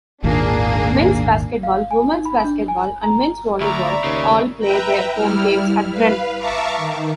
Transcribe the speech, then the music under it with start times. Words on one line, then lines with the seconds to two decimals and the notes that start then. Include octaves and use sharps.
Men's basketball, women's basketball, and men's volleyball all play their home games at Bren.
0.24 G#1 D#2 A#2 A#3 D4 G#4
1.63 F5
1.91 G#5
2.13 D#4
2.25 B5
2.44 D4
2.68 G#5
3.03 A#5
3.61 D2 D5 E5 A#5 B5 C#6
4.04 D#2 C#3
4.59 B4 E5 G5 A#5
5.13 G3 E4 F6
5.91 B4 F5
6.38 E5 F5 A5 A#5 C#6 D6
6.77 D#3